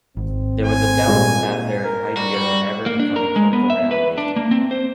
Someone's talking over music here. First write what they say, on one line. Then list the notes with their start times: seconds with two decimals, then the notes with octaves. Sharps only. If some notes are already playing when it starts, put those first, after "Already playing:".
There was doubt that their ideas would ever become a clinical reality.
0.17 G#1 C4
0.66 G#5
1.07 A#2 G3 G#3
1.85 A#4
2.17 G3 F#4
2.34 G3 F#4
2.86 A#3
3.00 D4
3.16 A#4
3.36 G#3
3.53 B3
3.70 E5
3.91 B4
4.18 D4
4.36 A#3
4.51 C4
4.71 C5